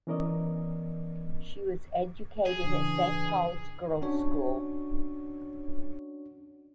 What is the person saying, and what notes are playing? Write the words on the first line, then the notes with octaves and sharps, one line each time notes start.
She was educated at Saint Paul's Girls' School.
E3 B3 C#4 A#4 D5 D#5
G#4
C#3 E3 D4
C#4 D4 F#4 C#5